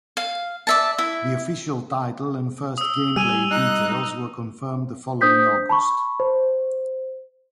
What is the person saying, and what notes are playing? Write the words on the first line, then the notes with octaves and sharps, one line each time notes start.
The official title and first gameplay details were confirmed the following August.
F5
D5 E5 A5
E4 E5
D#6 E6
G3 G#5 E6 D#7 F7
D#4 F#6
D4 C5 D#6 G6 B6
A5 B5 C#6
C5